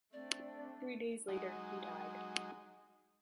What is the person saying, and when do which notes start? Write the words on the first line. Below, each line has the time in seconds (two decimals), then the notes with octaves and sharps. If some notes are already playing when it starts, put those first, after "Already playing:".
Three days later, he died.
0.13 A3 C4 D4 D5
1.28 F#3 G#3 D#4